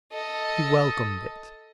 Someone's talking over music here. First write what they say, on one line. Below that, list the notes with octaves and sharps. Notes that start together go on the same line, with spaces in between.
He welcomed it.
A4 D#5